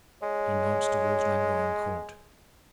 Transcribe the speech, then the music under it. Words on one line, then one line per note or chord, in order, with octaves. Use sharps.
He nods towards Llangorren Court.
G#3 C#5